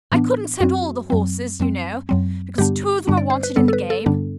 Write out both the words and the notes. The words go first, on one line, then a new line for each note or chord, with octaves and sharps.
'I couldn't send all the horses, you know, because two of them are wanted in the game.
A2 E3 B3 D4
F#2 F#3 C4 F#4
F#2 F#3 C4
F#2 F#3 C4
F#2 F#3 C4
G2 D3 G3 B3 D4 G4
G2 D3 G3 B3 D4
D5
C5
B4
G2 D3 G3 B3 D4 A4
A4
B4
A4
G2 D3 G3 B3 D4